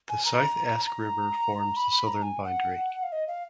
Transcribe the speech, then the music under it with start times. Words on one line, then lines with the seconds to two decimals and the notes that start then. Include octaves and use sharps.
The South Esk River forms the southern boundary.
0.09 G#5
0.25 A#5
0.86 A#5
1.77 B5
1.91 B5
2.07 A#5
2.22 G#5
2.44 F#5
3.03 F5
3.12 D#5
3.27 F5